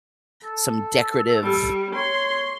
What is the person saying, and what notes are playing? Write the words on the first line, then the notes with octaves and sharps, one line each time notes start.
some decorative
A4
G3
C#5 C6